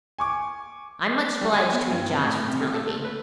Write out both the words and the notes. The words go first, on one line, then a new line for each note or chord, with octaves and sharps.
I'm much obliged to you, Josh, for telling me.
G#5 C#6 D6
G3
G#5
B3
G2
C3
A2
C3
A3
A4
A3
B4